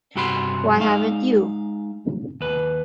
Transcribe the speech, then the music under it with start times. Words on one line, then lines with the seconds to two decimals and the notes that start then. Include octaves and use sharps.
Why haven't you?
0.16 G2 C3 F#4 B5 C6
0.78 G#3 D#4 F5
2.41 D#2 B4